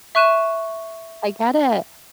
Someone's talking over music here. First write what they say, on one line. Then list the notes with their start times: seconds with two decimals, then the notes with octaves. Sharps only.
I get it.
0.15 E5 C#6 F#6 D#7 E7